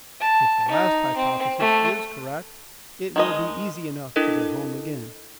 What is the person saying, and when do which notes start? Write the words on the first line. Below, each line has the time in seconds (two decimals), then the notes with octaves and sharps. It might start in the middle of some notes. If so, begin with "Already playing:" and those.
If the last hypothesis is correct, it will be easy enough to get home again.
0.21 A5
0.68 D#4
1.17 C4
1.59 A3
3.16 D#3 G#3 D#5
4.16 D4 E4 A4 A#4 D#5